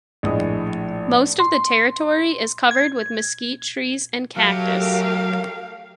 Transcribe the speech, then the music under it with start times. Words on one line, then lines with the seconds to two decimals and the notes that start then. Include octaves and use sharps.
Most of the territory is covered with mesquite trees and cactus.
0.23 A#1 A2 G#3 D#5 D#6
1.40 C6
2.71 G#6
4.37 F#3 A3 G4 A#4 F5